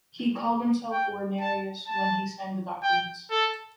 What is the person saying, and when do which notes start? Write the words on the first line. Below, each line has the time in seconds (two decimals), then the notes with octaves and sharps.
He called himself Wernerius when he signed documents.
0.92 G5
1.40 A5
1.87 A5
2.83 G5
3.31 A4